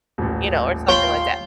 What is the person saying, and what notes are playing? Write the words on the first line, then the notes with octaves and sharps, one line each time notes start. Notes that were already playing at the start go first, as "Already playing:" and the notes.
you know, or something like that.
D#1 A1
F4 C#5 G5 B5 C6